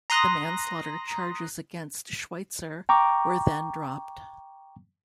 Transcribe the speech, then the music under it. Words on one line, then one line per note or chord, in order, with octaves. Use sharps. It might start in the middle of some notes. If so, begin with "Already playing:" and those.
The manslaughter charges against Schweitzer were then dropped.
A#5 C6 D#6 F#6 A#6
G5 A#5 C#6 D6